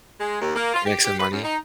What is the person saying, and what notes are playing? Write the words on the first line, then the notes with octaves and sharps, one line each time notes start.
Make some money?
G#3
D#2
A#3
F4
G4
G4
B4
F#2
D#4